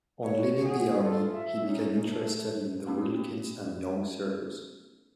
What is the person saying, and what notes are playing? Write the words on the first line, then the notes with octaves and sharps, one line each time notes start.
On leaving the army he became interested in the "Wilkins and Young Circus".
C#5
F#4 G#4
F4 A4
E5
C#4 D#4
A3
A3 B3 C#4 D#4 F#4 G4